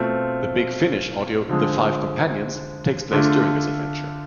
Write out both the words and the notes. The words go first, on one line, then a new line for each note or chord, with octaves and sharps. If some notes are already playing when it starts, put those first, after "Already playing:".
The Big Finish audio "The Five Companions" takes place during this adventure.
Already playing: B2 A3 C4 F4
D3 F3 G#3
D3 A3 D4 F4